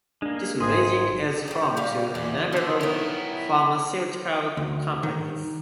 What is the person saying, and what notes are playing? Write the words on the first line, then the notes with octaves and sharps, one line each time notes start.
This riding is home to a number of pharmaceutical companies.
G#3 A#3 D4
G#1 G#4 C6 D#6 G#6 B6
F#3 G3
A#2 G3 F5
E2 D5
D3 F3 B3
F#3 B3 E4 A#4
D2
D#3